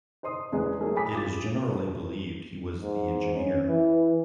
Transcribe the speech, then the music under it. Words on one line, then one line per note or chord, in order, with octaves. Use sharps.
It is generally believed he was the engineer.
C5 D#5 C6 D#6
E2 G#3 B3
F#3 A3 G#4 A#4
G#5 B5 D6 D#6 B6
F4 D6 A6
G#2
C#4
E3